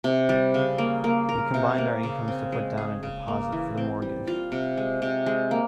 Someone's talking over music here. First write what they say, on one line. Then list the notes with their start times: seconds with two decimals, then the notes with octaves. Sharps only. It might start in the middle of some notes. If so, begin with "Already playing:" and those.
We combined our incomes to put down a deposit for the mortgage.
0.04 C3
0.29 G3
0.54 C#3
0.78 A#3
1.04 A#3
1.29 A#4
1.54 C3
1.78 A#3
2.03 C#3
2.28 C4
2.52 G#3
2.77 G#4
3.03 C#3
3.28 A#3
3.52 E3
3.77 C4
4.02 G3
4.27 F4
4.52 C3
4.77 G#3
5.02 C3
5.26 G#3
5.51 A#3